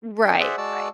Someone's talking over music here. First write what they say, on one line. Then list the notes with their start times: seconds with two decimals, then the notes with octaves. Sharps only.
Right, right,
0.25 D4 G5
0.40 G#4 C5 D5 E5 F#5
0.58 G#3 F#4 D5 A5 E6